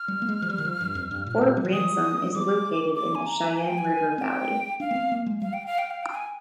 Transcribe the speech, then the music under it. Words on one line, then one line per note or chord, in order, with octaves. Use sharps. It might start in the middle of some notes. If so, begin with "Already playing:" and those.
Fort Ransom is located in the Sheyenne River valley.
Already playing: F6
G3
A#3
G#3
F3
G3
D#3
F3
G2
F2
G2
A#2
A#2
G3
F3
D#3 D#6
F3
G3 D6
D6
G#5
A#5
G#5
G5
G#5
C4 G5 G#5
D4 F5
A#3
C4
A#3
G#3
G3 F5
G5
F5
G5
F5
G5
G#5